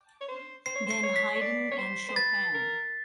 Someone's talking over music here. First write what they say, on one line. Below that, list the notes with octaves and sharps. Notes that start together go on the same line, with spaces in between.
Then Haydn and Chopin.
C#5
C5
C5 C7
C#5
C5 C7
C#5
B6
C#5
D5
C#5
C5
C5
B4 A6
A#4